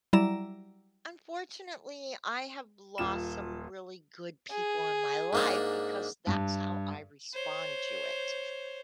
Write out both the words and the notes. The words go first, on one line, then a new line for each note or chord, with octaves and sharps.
Unfortunately, I have lost some really good people in my life because that's how I respond to it,
F#3 G3 E4 D5 A#5 E7
D#1 F4 E7
G#4
G#2 A#3 D4
G2
C5 C#5